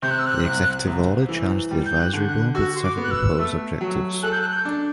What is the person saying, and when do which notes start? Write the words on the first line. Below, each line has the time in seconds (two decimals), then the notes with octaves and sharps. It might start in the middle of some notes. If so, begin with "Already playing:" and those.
The Executive Order charged the advisory board with several proposed objectives.
0.02 C3 G6
0.11 F#6
0.19 E6
0.27 F#6
0.45 C2
0.87 C2
1.29 E3
1.71 G3
1.86 G6
2.00 F#6
2.13 D3
2.28 F#6
2.55 F#4 E6
2.75 C6
2.83 D6
2.97 B3
3.04 F#6
3.11 E6
3.39 A3
3.81 F#3
4.23 A4 F#6
4.32 G6
4.41 F#6
4.52 G6
4.65 D4